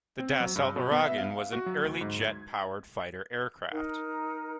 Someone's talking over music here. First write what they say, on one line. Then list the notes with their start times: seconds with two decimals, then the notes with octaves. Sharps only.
The Dassault Ouragan was an early jet-powered fighter aircraft.
0.20 C4
0.40 F#3
0.56 G2
0.76 B2
0.91 B3
1.05 E5
1.18 F5
1.53 F#4
1.66 F#3
1.84 D2
2.01 G#2
2.22 G#6
3.72 D#4 A#4